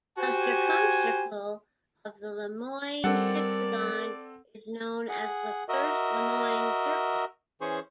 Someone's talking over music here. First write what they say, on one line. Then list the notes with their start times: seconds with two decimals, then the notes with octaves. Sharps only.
The circumcircle of the Lemoine hexagon is known as the first Lemoine circle.
0.18 F#4 G4 C5 G#5
3.04 G3 C4 A4 A#4 D5 F#5
5.09 G#4 F#5
5.69 F#4 A#4 D#5 E5
7.61 E3 C#4 G#4 C5 C#6